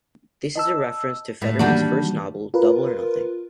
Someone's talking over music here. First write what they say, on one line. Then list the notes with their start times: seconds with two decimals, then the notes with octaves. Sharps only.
This is a reference to Federman's first novel "Double or Nothing".
0.56 D#5 A5 E6
1.42 A2
1.59 D#3 E3 G3 A#3 D4 F#4
2.54 F4 A#4 B4